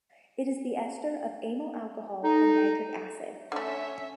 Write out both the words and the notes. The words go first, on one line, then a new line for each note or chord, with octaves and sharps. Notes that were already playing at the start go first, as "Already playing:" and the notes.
It is the ester of amyl alcohol and nitric acid.
D#4 A4
D3 A3 C#4 E5